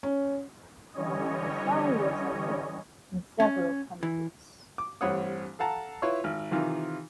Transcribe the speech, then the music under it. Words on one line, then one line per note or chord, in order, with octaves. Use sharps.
The song was a hit in several countries.
C#4
D3 E3 G3 C#4 C#5 D#5
C#4
E3
D6
A1 G2 C4 C#5 F#5 D#6
A4 F5 F#5 A5 A#5
E4 F4 B4 C#5 C6 C#6
G#1 F6
C3 D#3 E3 F4 A#4